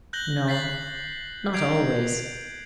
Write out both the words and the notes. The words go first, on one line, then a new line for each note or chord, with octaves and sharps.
"No, not always."
F#6 G6 A#6 F#7 G7
A6 B6 C7 F#7
G6 G#6 C7 D7 F7